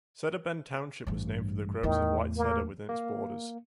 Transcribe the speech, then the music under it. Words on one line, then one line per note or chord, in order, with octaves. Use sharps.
Cedarbend Township was named for the groves of white cedar within its borders.
A1 G2
E2 A2 D#3
A#3
A#3